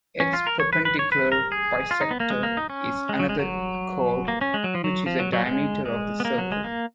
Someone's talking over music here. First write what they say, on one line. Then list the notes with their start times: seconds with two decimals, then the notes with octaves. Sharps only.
Its perpendicular bisector is another chord, which is a diameter of the circle.
0.20 C#4
0.33 F4
0.47 A#4
0.60 C#5
0.73 B4
0.85 B4
0.99 C#5
1.12 B4
1.32 A#4
1.52 G#4
1.91 F4
2.01 D#4
2.11 B3
2.20 A#3
2.30 G#3
2.43 A#3
2.57 D#4
2.70 C#4
3.09 G#3
3.19 F#3
3.29 G#3
3.39 F#3
4.28 A#3
4.41 C#4
4.54 G#3
4.64 F#3
4.75 F3
4.84 F#3
5.06 F3
5.19 F#3
5.33 F#3
5.46 G#3
5.86 G#3
6.20 B3
6.25 A#3
6.38 F#3
6.52 G#3
6.64 A#3